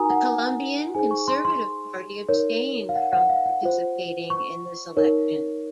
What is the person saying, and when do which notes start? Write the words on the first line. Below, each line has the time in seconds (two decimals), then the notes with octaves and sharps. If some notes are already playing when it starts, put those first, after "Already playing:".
The Colombian Conservative Party abstained from participating in this election.
Already playing: D#4 F#4 A#4 G#5 A#5 D#6
0.10 F#5
0.95 D#4 G#4 C5 G#5
1.11 C#6
1.28 C6
1.45 C6
2.29 D#4 A#4 C#5
2.89 F5
2.96 F#5
3.13 F#5
3.29 F5
3.46 F#5
3.63 F4 C5
4.30 C#6
4.97 D#4 A#4 C#5